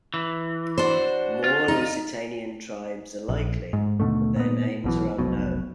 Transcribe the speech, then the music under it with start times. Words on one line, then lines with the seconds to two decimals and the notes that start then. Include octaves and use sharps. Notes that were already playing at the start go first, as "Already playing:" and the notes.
More Lusitanian tribes are likely, but their names are unknown.
0.14 E3
0.78 D4 F#4 C5
1.44 F4
1.68 D#4
3.29 A#1
3.73 G#2
4.00 D#2 B2 D3 A3
4.36 A#2 B3
4.84 B1 B2 E3
5.19 F1 B1 B2